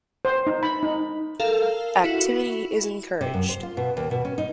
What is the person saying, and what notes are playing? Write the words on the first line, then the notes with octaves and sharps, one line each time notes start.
Activity is encouraged.
C5
D#4
B5
D#4
A4 A#4 F5
E4 F#4
C3
F#2
C5
F4
B2
D#2
B2
C#4
D#4